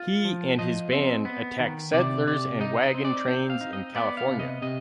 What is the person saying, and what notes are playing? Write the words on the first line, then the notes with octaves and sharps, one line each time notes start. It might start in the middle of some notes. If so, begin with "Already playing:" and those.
He and his band attacked settlers and wagon trains in California.
Already playing: F4
F3
F3 D#5
C4
B3
D#3
C3 D5
C3 D5
D#4 D#5
D#5
C4
D5
C4 C5
F5
D#4
D#5
B3 D5
F5
C3
D#5
C3 D#5